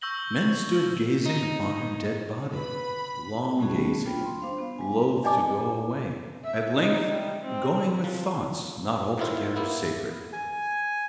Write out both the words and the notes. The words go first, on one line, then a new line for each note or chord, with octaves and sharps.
Men stood gazing upon her dead body--long gazing--loth to go away--at length going with thoughts not altogether sacred!
C#6 E6 G6 A#6 F#7 G7
D#4
B4 B5
G3 A3 B3 C#4 F#4 G#4
D4 F4 G5 B5
C6
D4 C5 F5
B3
G3 G#5
D5 D#5 G#5 A5 D6
E5
D#4
G3
C4
F3
A2 C3 D#3 F#3 E4 F4
A#3 B3 E4
G#5